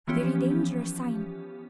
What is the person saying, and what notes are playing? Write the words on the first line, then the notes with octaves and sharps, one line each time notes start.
'A very dangerous sign!
E3 F3 B3 C#4 G4